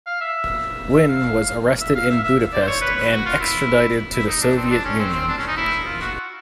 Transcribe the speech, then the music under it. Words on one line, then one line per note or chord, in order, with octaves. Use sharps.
Wynne was arrested in Budapest and extradited to the Soviet Union.
F5
E5
E5
F5
E5
F5
E5
E5
D5
C5
C#5
B4
B4
F#4
F4
E4
E4
D#4
D4
C4
D4
C#4
C4
C4
D4
C#4
D#4
E4
F4
F#4